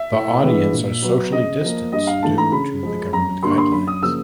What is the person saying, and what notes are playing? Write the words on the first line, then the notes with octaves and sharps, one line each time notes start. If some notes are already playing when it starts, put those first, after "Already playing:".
The audience are socially distanced due to the Government guidelines.
Already playing: E5
A2
E3 G#3 B3 D4
A#2
F#3 B3
C#3 D#5
F3 A#3
G2 D#5
F5
E3 A3 D4 A5
A#5
C#3 B5
F3 G#3
F#2 A#5
D3 G3 A#3 D4 C6
C#6
C6
F#2 B5
D#6
C#3 F3 A#3 E6